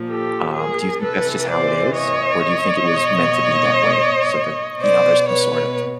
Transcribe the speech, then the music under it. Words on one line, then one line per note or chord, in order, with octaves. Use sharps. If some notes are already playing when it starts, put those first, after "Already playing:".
Um, do you think that's just how it is? Or do you think it was meant to be that way, so that, you know, there's some sort of
Already playing: A#2 F3
G4 A4
G#4 A#4
C3 E3 A4 B4
C5 D5
C#5 D#5
B2
B2 C5 D5
B4 C#5